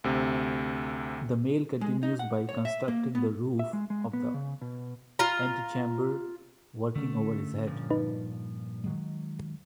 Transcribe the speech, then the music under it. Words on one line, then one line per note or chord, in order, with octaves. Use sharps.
The male continues by constructing the roof of the antechamber, working over his head.
D2 C3
G#3
D#4
F#5
C#5
E5
A#3
B3
E5
G#3
G#3
B3
C#3
B2
F4 A#5
D3 A3 C#4
G2 A#2 F3
D#4 B4
D#3 F#3 G#3